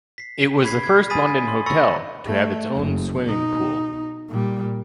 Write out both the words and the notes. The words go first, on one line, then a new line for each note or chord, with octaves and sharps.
It was the first London hotel to have its own swimming pool.
B6 C7
B5 G#6 B6 C7
G#6
G#5 B5 D#6 A6 B6 D#7
C6
B5 C#6 E6 A6 A#6 C#7
A3
F#1
B2 D#4
A#2 G3